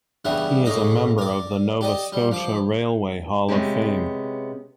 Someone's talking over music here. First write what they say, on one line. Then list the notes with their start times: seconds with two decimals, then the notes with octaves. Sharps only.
He is a member of the Nova Scotia Railway Hall of Fame.
0.25 G2 C#3 E3 G3 B3 E5
0.65 A2 C#3 D#4 D#5 D6
1.18 A#4 D5
1.81 G4 D5 D#5
2.12 G3
2.31 F3 D6
3.48 C3 G#3 B3 C#4 G4